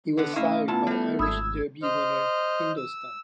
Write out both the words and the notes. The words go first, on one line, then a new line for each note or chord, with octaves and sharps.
He was sired by Irish Derby winner Hindostan.
D3 B3
C3 A3 C#4 E4 D#5 F5
A#2 B3 E4 F4 A5
G3 A3
G#1 B5 D#6 E6 G#6
C5 D#5 F6
E6